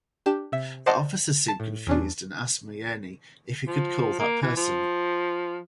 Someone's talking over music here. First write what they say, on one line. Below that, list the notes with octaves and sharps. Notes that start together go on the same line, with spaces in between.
The officer seemed confused and asked Myeni if he could call that person.
D4 G4 E7
C3 E5
C5 D5 D#5 F#5 A5 C6
A5
A2
E2 C#4 D4
F3
A#3
E3
F3